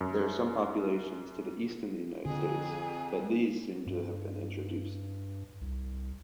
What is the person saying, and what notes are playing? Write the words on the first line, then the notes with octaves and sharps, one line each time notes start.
There are some populations to the east in the United States, but these seem to have been introduced.
F#2
F2 D3 G#4 G#5
G2
C2